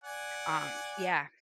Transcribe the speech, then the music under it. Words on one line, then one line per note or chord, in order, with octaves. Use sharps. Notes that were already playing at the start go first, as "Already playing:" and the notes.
um yeah.
D5 F#5 G#5